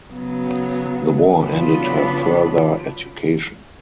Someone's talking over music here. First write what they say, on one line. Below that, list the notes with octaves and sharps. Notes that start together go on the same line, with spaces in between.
The war ended her further education.
C#3 F#3 B3
C#3 F#3 B3 D4 F4